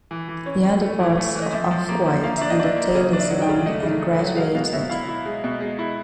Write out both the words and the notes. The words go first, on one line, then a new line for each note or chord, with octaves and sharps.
The underparts are off-white and the tail is long and graduated.
E3
E3
C#4
C#4
A3
E3
A3
E3
D#5
F3 E5
F3
A#3
F3
A#3 F5
D4 E5
D#5
D4 E5
A#3
C#3 D#5
D4
E5
F#3
G5
C#3
A3 D#5
C#3
A3
F#3
G#3 F5
B2 F5
B2 E5
E4 F5
E4
G#3
B2
G#3
E4